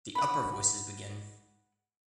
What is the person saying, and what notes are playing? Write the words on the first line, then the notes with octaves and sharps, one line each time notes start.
The upper voices begin.
F#5 B5